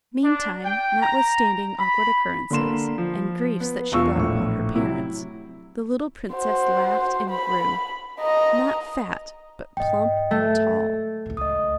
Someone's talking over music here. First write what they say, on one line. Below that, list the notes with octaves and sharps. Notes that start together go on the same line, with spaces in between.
Meantime, notwithstanding awkward occurrences, and griefs that she brought upon her parents, the little princess laughed and grew--not fat, but plump and tall.
D4
G5
A#5
B5
D3 A#3 C6 E7
F3
B3
E1 B2 F4 C#6 E6
A#1 A2 C#6
C3 F#3 E4
F#4 C5
B5
D#5 A#5
G#2 B2 D#5 G5
A3 A6
C#2 A2
C#2 D#5 D#6